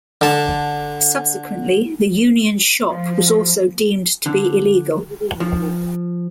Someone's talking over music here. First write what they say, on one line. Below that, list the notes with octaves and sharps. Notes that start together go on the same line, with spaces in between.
Subsequently, the Union Shop was also deemed to be illegal.
D3 A5
F3
D3
F3